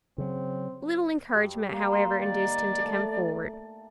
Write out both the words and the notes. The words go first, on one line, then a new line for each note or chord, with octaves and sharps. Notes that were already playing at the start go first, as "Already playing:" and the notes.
A little encouragement, however, induced him to come forward.
C#3 F#3 C4
G2 G3
A#3
C6
D#3 D5
A3